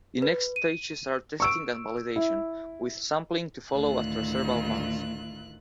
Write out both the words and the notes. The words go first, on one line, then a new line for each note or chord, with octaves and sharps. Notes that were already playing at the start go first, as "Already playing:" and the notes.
The next stages are testing and validation, with sampling to follow after several months.
B4
D#7
C#6 E6 D7
E4
D2 A2 D#3 E4 F4 F#6